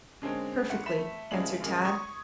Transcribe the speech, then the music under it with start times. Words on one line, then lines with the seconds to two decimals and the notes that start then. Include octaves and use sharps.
"Perfectly," answered Tad.
0.22 D3 G#3 A#3 C4 C#4
0.69 G1 F#5 C#7
0.86 A3 B5 B6 E7
1.31 C2 C#3 F3 G#3 D5 F#7
1.60 F#2 A#2 D#3 G#3
1.85 C6 C#6 D#6 G#6